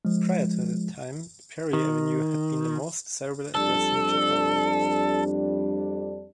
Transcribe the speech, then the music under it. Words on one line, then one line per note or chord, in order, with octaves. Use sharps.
Prior to that time, Prairie Avenue had been the most desirable address in Chicago.
F3 G#3
D#3
F2 G3 D4 A4